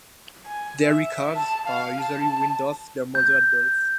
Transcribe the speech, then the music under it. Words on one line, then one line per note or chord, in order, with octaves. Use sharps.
Dairy calves are usually weaned off their mother at birth.
G#5
E5
A5
F5
A5
G6